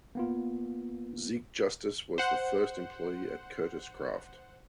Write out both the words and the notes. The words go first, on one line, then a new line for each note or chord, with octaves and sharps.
Zeke Justice was the first employee at Kurtis-Kraft.
A#3 B3 F4
C5 F#5